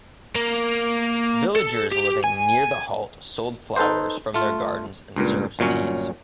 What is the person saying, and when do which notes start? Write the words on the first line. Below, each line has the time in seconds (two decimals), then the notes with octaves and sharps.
Villagers living near the halt sold flowers from their gardens and served teas.
0.35 A#3
1.56 A4
1.92 G4
2.24 G#5
3.76 D#4 A4 B4 C5
4.34 A3 F4
5.16 C#2 G2 A#2
5.59 G1 A#2 F#3 C#4